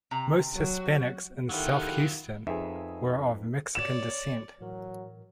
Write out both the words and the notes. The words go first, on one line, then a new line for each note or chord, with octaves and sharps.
Most Hispanics in South Houston were of Mexican descent.
C3 A#5
F#3 F#4
D#3 F#3 A3 E4 F4 G4 F#5
F2 D#4 G#4 B4 E5
C#5 D5 E7
A2 E3 F#3 A#4